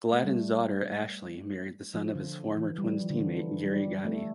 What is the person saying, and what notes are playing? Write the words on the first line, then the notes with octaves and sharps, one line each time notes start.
Gladden's daughter Ashley married the son of his former Twins teammate Gary Gaetti.
A3
G3
F3
D3
E3
G3
F3
D3
E3
G3
A3